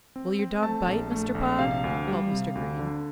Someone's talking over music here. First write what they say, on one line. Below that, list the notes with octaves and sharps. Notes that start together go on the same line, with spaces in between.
"Will your dog bite, Mr. Pod?" called Mr. Green.
C4
C4
A3 A5
A#1
A3
A#1
C3 F5
D2
G3
C3
D2
D3